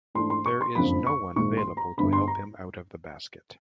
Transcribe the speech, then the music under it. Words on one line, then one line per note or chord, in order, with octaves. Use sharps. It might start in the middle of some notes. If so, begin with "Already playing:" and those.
There is no one available to help him out of the basket.
G#2 E3 A3 D4 C6
C6
C#6
C6
F#1 F2 D3 F3 B5
C#6
A#1 G#2 D#3 G#3 C#6
C6
A#5
G1 G2 D3 B5
C6
A#5